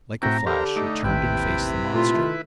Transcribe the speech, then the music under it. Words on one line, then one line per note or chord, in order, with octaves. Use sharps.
Like a flash she turned and faced the monster.
A2 C4 E4 F#4 G5 A#5
D3 G4 A#4 C5 A#5 B5
A3 D#4 D6 D#6
A1 D#2 C3 D#3 E4 B4 G5
A#2 A3 F4
D#3 A3